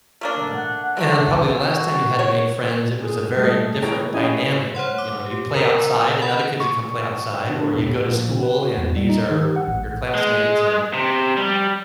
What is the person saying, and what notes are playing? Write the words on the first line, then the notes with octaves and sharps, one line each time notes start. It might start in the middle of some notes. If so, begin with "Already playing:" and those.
Yeah, and probably the last time you had to make friends, it was a very different dynamic, you you know, you play outside and other kids would come play outside, or you go to school and these are your classmates, and
A3 A#3 D4
F#5
D3 F#3 A3 D4
F#4
C#5
G#4
G3 A3 D#5
E4 G#4 C#5 G5 A#5
C#4 E4 G4 D#5 G5 G#5
C5 C#5 F#5 C6
D6
G4
A#4 A#5
F#4 F#5 B5
C#6
D3
E1
G4
A#1
B4
F#4
E2
G3
D#4
D#3
G4
F#5
A1
G#3
C3
G3